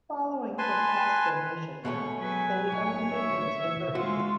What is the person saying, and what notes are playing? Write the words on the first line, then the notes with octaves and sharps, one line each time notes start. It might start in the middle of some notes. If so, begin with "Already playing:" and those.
Following from past donations, they own vineyards in Burgundy.
B4 G#5 A5 C6
B2 G#3 A3 C#5
F#3 B4 G#5
B1 C#5
E5
G#3 F4 F#4